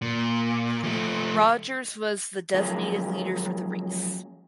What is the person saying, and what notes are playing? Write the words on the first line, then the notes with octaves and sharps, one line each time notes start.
Rogers was the designated leader for the race.
A#2
F3 A3
F3 F#3 G#3 A#3 C#4